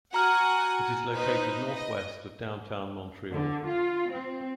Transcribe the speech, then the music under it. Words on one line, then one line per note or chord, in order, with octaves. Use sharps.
It is located northwest of downtown Montreal.
F#4 F#5 G#5 A#5 F6
D#4 B4 C5
D#5
D3
F4
C4